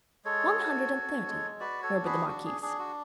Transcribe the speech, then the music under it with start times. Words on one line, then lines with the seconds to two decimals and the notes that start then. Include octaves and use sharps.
"One hundred and thirty," murmured the marquise.
0.25 G#3 A4 C#5
0.59 F#4
0.92 F#4
1.27 G#3
1.60 F#4 B4 D5
1.83 A4 C#5
1.95 D4
2.05 G#4 B4
2.27 F#4
2.45 G#4
2.61 D4 G#4
2.79 F#4